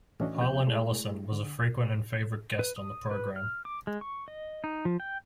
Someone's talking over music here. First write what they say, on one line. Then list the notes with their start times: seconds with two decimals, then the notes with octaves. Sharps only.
Harlan Ellison was a frequent and favorite guest on the program.
0.20 A2 E3 C#4 D4 F#4 D#5
0.41 E2 F3 B3 G4 G6
0.67 G#3 A3 E4 G#4
1.32 D3
2.59 B4
2.76 D#6
3.11 B4
3.36 F6
3.65 D6
3.87 G#3
4.01 C#6
4.28 D#5
4.64 D#4
4.85 F3
5.00 G5